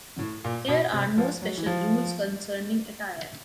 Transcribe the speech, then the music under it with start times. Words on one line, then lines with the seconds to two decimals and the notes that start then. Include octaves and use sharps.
There are no special rules concerning attire.
0.19 A2
0.44 A#2
0.68 B2
0.93 C3
1.18 F3
1.42 F#3
1.58 E3
1.66 F3